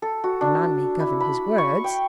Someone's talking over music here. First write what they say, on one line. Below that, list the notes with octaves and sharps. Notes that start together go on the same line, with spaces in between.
"A man may govern his words."
A4
F#4
D4
E4
B5
C#6
G5